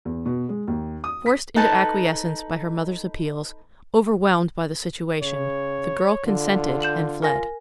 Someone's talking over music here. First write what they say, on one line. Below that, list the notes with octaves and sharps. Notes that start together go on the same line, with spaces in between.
Forced into acquiescence by her mother's appeals, overwhelmed by the situation, the girl consented and fled.
E2
B2
G#3
D#2
D#6
B6
D#4 A4 B4 A5
C#3 C#5
D3 F4
G6 E7 F#7
F4 A#4 G#5 A#6